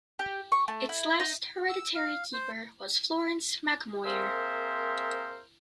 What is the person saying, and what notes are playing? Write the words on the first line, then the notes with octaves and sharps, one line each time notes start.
Its last hereditary keeper was Florence MacMoyer.
G4
C#6
A3
E4
D#4
E6
F5
C5
A#3 C4 G#4 A#4 C5 E5